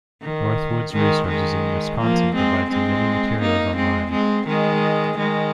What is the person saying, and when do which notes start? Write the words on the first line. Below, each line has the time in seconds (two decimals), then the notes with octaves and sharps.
Northwoods Resources in Wisconsin provides many materials online.
0.23 D#3
0.93 D#3 G#3
1.28 D#3 G#3
1.99 F3 A#3
2.35 G#3 C4
2.70 G#3 C4
3.41 A#3 D#4
3.76 G#3 C4
4.11 G#3 C4
4.47 D#3 G#3
5.18 D#3 G#3